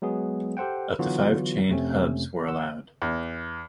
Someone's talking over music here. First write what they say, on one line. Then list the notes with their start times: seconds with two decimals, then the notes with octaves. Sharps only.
Up to five chained hubs were allowed.
0.02 F#3 G#3 B3 G#4
0.57 G4 A4 C5 F#5 G5
0.99 D3 E3 F#3 B3 F4 F#4
1.69 F2 C3 A3 C4 C#4
2.47 F#5 E6
3.02 E2